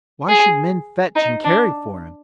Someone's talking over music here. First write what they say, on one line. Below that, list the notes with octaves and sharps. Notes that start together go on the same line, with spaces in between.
Why should men fetch and carry for him?
G#4
D#4
D4